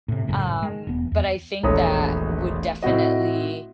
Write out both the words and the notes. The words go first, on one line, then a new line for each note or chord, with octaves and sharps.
Um, but I think that would definitely
A2 C3
G#1 F#2 A2 C#3
G#3
E1 B3
E2
E1 A#1 A3 C#5 A#5 D#6
A2 C4 F#4 D#5